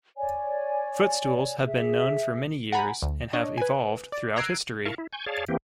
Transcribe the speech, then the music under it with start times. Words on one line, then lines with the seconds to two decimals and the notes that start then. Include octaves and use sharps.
Footstools have been known for many years, and have evolved throughout history.
0.17 C#5 D5 G#5
1.67 G#4 E5
2.72 F#5 G#5 A#5 B5
3.02 D2
3.33 D4 C#5 D#5
3.58 B4 G#5
4.12 D5
4.36 A#5 E6 F#6 G#6 C7 D7
4.86 E4 A#4 F5 A5 C#6
4.98 E4
5.13 G#5 C#6 G6
5.26 G#4 C#5 D5 F5 A5
5.48 E3 A#3 C4 G4